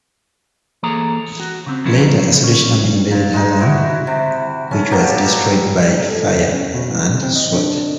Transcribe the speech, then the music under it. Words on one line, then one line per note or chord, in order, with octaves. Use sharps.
Later, a Swedish army invaded Halland, which was destroyed by fire and sword.
E3 A#3 G#4 A4 A#5
F#4
C#3 C4
F3 F#3 B3 C#4 E4 G#4
C#4
A#2
G#3 D#4
E4 F#4
C3
C#4 A4
A#2 F#3 G4 A#4
G#2
G3
A4
E2
C#4
B2
E3
C3
C4
D#5
D4